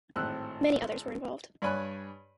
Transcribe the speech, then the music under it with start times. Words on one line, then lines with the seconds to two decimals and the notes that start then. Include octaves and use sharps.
Many others were involved.
0.16 G#1 A2 C4 E6 F#6
1.62 G2 C#5 D5 G#5 B5 F#6